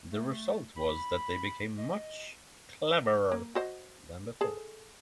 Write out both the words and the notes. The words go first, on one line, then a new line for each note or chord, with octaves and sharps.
The result was that they became much cleverer than before.
A3
B5
D#5
A#3
F#4 C5 D#5
G#4 A4